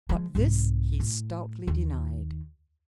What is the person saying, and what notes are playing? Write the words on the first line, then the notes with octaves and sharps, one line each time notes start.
But this he stoutly denied.
F3 G#3
C2 G#2
A2
D#2